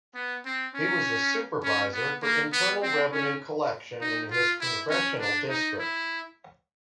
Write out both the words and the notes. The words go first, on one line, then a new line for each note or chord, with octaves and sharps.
He was the supervisor for Internal Revenue collection in his congressional district.
B3
C4
C#4
C#4
B3
A#3
B3
C4
C#4
D#4
F4
E4
C#4
D4
D#4
E4